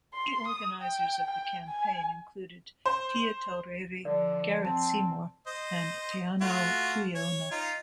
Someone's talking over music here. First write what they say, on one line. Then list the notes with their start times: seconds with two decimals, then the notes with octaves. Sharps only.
Key organisers of the campaign included Tia Taurere, Gareth Seymour and Teanau Tuiono.
0.14 C6
0.47 D#6
0.81 G5
1.27 G5
1.68 G#5
2.86 C5
4.05 D3 F3 D5
4.65 C4 A5
5.47 C5 D#5
6.41 A3 F4 F#4
7.15 C#5
7.51 D#4 F4